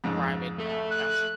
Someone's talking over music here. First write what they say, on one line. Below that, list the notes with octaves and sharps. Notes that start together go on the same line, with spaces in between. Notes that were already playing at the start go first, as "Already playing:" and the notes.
private, uh, counselor.
F2 G#2 C#3
A3 A4 E5
F#6